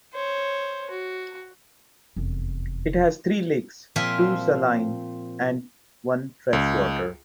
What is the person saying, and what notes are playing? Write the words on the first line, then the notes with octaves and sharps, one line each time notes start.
It has three lakes, two saline and one freshwater.
C5 C#5
F#4
F1 E2
A#2 F3 C4 F4 E5 G#5
C#2